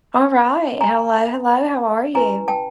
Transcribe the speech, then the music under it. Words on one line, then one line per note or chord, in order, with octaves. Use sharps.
Alright, hello, hello, how are you?
G#5 A#5
C#4 E4 G4 B4 G#5 A#5
G5 A5